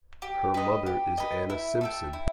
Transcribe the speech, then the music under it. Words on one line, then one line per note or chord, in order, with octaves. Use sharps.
Her mother is Anna Simpson.
G4
B4 D#5
G4
B4 D#5
E4
A4 E5 G5
E4